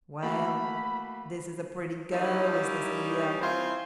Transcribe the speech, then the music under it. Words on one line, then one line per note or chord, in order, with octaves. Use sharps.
'Well, this is a pretty go, is this here!
A3 A#3 F#4 B5
G3 A#3 C#4 D#4 E4
C4 E4 F4 C5 G#5 C6